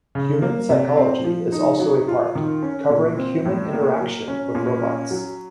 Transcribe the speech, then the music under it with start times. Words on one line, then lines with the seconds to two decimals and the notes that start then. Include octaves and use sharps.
Human psychology is also a part, covering human interaction with robots.
0.15 C#3
0.42 A#3
0.70 C3
0.97 C4
1.24 F3
1.52 D#4
1.80 F#3
2.08 F4
2.35 D#3
2.63 C#4
2.90 A#2
3.17 C4
3.45 A2
3.73 A#3
4.00 F#3
4.28 C#4
4.55 A#2
4.83 C#4
5.11 F#3